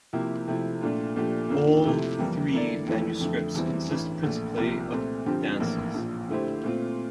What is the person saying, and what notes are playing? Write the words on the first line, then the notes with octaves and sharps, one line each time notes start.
All three manuscripts consist principally of dances.
C3 F3 A#3 E4 G4
C3 F3 A3 E4
A#2 A3 D4 F4
A#2 F3 A3 D4 G4
F2 D3 F3 A#3 D4
C3 F3 A3 E4 G4
F2 E3 G3 A#3
D3 A3 E4 A#4 D5
F1 F2 E3 A3 E4
F2 D3 A3
E2 E3 G3 C4 E4
A1 G2 E3
A#1 A#2 A3 D4
C2 C3 F3 A#3
A#2 A3 C4
G2 D3 F3 C4 G4
A#1 A2 E3 A#3 E4
A#1 A#2 F3
D3 A3 E4 G4 C5
A#2 A3 C4 F4